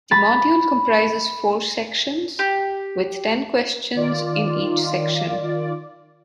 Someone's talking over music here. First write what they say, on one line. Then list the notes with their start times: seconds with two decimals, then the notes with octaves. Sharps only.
The module comprises four sections, with ten questions in each section.
0.11 B5 A6
2.39 G4
3.95 D#3 F4 D5